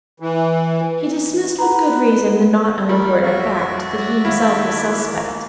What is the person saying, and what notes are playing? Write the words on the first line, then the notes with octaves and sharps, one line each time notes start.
He dismissed with good reason the not unimportant fact that he himself was suspect.
E3
B4 F#5 A#5
G3 A#4 B5
F#2 C#4 F#4 D5 E5 F5
D#2 E4
A#3